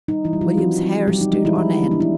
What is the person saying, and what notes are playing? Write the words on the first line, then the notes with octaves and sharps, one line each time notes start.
William's hair stood on end.
G3 D#4
E3 E4
G3
F3 F4
F#3 C4 F#4
C4
F3 G3 G4
D#4
G#3 D#4
E3 E4
F3
B3
D4
E4